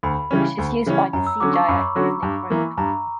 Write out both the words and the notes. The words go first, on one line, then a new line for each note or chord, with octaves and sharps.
It is used by the Sea Dayak ethnic group.
D2 B5
C#3 E3 G3 C#4
D2
C#3 E3 G3 C#4
F#2 A#5
E6
D3 F#3 C#4 F#4 D6
C#6
F#2 B5
D3 F#3 C#4 F#4
G2
E3 A#3
G2 A#5